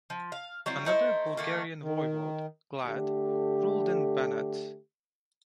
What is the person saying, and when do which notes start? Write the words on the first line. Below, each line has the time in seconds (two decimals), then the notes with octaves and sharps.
Another Bulgarian voivod, Glad, ruled in Banat.
0.10 F3
0.32 F5
0.66 F#3 G3 C4 E4
0.85 A3 D#4 E4 C5
1.37 D#3 A3 A#3
1.82 D#3
2.85 D3 A3 G4